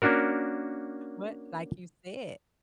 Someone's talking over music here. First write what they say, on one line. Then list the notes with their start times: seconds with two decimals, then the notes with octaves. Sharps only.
But like you said,
0.02 A#3 C#4 D4 F#4 A#4